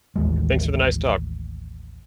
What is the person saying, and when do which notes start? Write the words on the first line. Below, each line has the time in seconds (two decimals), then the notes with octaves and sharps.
thanks for the nice talk.
0.16 A1 D#2 G#3